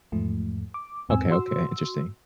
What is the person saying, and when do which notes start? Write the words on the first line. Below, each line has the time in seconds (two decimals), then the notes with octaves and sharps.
Okay, okay, interesting.
0.12 E2 G#2 F3 A3
0.74 D6
1.09 E2 G#2 C4 G#5 E6
1.30 F#4 C6 E6